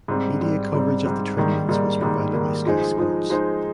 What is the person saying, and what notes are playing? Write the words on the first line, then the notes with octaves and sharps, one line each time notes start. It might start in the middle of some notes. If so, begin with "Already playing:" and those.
Media coverage of the tournaments was provided by Sky Sports.
G#2 G3 C4
G#2 G3 C4
G#2 G3 C4
G#2 G3 C4
G#2 D#3 G3 A#3
G#2 D#3 G3 A#3
G#2 D#3 G3 A#3
G#2 D#3 G3 A#3
F3 G#3 D#4 G#4 C5
F3 G#3 D#4 G#4 C5
F3 G#3 D#4 G#4 C5